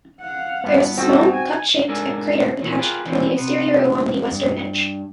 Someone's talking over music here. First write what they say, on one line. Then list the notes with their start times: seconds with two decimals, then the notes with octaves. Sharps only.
There is a small, cup-shaped crater attached to the exterior along the western edge.
0.21 F5 F#5
0.64 G2 B3
0.97 C4 D#4 F#4 A4
1.33 G#5
1.88 G#2 D4 A4 A#4 D5 G#5
2.62 A#2 D#3 E3 F#3
2.79 F4 G4 G#4 A#4 B4
3.06 D3 E3 F#3 B3 C4
3.36 C3 B3
4.32 G2